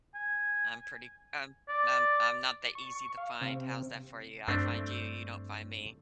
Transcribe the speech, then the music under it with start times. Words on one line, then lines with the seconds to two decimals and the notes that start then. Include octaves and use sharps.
I'm pretty I'm I'm I'm not that easy to find, how's that for you? I find you, you don't find me.
0.15 G#5
1.69 D5
2.75 C#6
3.18 F5
3.41 C3
4.48 G2 A3 C4 D4